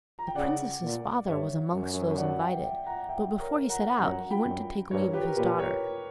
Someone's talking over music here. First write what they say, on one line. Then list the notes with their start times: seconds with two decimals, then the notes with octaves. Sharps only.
The princess's father was amongst those invited, but before he set out he went to take leave of his daughter.
0.19 A#5
0.27 G5
0.35 C#3 D5 F#5
0.81 A#2
1.27 G2 C#5 E5
1.73 F#2
2.17 D5 F#5
2.41 E5 G5
2.64 E5 G5
2.86 F#5 A#5
3.09 E5 G5
3.39 A#4 C#5
3.70 F#5 A#5
3.99 F#2 F#5 A#5
4.31 G5 B5
4.45 F#2
4.91 G2 A#4 C#5
5.13 G4 B4
5.26 A#4
5.37 A#2 G4 B4
5.60 A#4 C#5